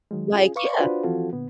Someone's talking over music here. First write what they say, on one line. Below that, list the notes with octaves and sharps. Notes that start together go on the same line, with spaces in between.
like yeah.
D#3 F#3 G#3
C#4 F4 G#4
B4 F5 C#6 D6
D4 F4 F#4 B4 C5 D5
E3 F3 C4 F4 F#4 A4
A#2 D3 B3